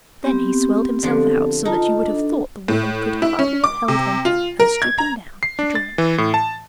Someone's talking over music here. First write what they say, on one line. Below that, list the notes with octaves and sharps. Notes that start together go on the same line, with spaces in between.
Then he swelled himself out so that you would have thought the world could hardly have held him, and stooping down he drank.
B3 C4 G4
D3 F3 D4
D#4 F4 A5
D4 A4
A2
E4
C#4
D6
C3
F4
A#4
G#6
A#5
C7
D4
A6
E3
A2
A5